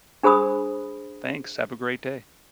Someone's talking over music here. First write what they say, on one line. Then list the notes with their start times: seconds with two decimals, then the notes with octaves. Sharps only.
Thanks, have a great day.
0.23 D4 G#4 C5 B5 D#6